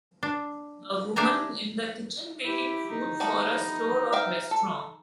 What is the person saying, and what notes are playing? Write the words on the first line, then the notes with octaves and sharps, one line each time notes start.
A woman is in the kitchen making food for a store or restaurant.
D4
D4 G4 E5 G#5 A#5
E4 G4
D#4
G3 A3 B3
E5 F5 G5
A4